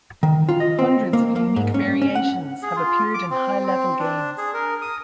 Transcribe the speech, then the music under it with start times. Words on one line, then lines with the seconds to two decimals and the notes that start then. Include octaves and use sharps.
Hundreds of unique variations have appeared in high-level games.
0.23 D#3
0.49 F4
0.60 D#5
0.79 C4
1.13 A#3
1.36 A#3
1.56 G#2
1.74 C#4
2.02 C#4
2.15 F#5
2.63 G#4
2.76 F4
3.14 D6
3.31 C4
3.66 C4
3.99 D4
4.38 G#4
4.54 A#4
4.82 D#6